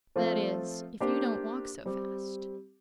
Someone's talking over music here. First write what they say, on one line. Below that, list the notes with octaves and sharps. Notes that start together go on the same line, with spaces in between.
That is, if you don't walk so fast.
F3 A3 C4 F4
A#3 D4 G4 C5
G3 C4 G4